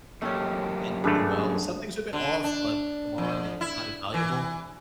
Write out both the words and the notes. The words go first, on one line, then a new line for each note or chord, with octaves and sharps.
did pretty well, some things were a bit off, but come on, i it's not infallible,
F#2 A3 A#3 C#4 G4
G#1 G2 D3 A3 G#4 B4
D3
D4
F2
E4
E3